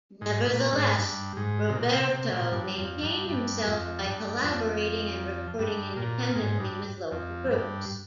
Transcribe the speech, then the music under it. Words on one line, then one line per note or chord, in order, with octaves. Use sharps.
Nevertheless, Roberto maintained himself by collaborating and recording independently with local groups.
G#2
A#2
G#2
G2
G#2
C3
A#2
C3
C3
A#2
G2
F2
G2
G2
F2
G2
F2
G2
A#2
G#2
G2
F2
G2